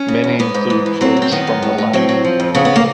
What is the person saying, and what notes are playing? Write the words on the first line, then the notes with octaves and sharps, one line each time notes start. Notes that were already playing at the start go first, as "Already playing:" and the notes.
Many include quotes from the Latin.
Already playing: C#4
C#3
E2
G#2 B3
G#2
E3
E3
F#3 C4
F#2
C4
D#3 B3
F#2
A2
A2
F#3 C4
F#3
F3
F2
C#3 B3
B3
A#3